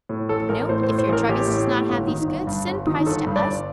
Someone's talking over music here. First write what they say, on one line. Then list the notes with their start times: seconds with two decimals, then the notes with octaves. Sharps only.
NOTE.--If your druggist does not have these goods, send price to us.
0.09 A2
0.29 A1 A4
0.49 A1 A#4
0.69 A2 C5
0.83 C5
0.89 A2
0.98 C5
1.09 A1 A#4
1.29 A1 G4
1.47 A2
1.67 A2
1.88 G1
2.08 D#3
2.27 G1
2.47 G2
2.67 G1
2.87 D#3
3.06 G1 A4
3.27 G2
3.36 D5
3.46 G1